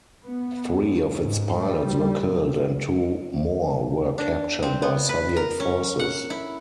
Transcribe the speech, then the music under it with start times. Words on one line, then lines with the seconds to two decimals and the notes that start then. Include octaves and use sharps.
Three of its pilots were killed and two more were captured by Soviet forces.
0.24 B3
0.79 F#2
1.18 G#2
1.61 G3
2.26 C3
4.18 D4
4.63 C4
4.82 B3
5.09 B4
5.37 A#4
5.60 C#4
5.99 F#5
6.30 E4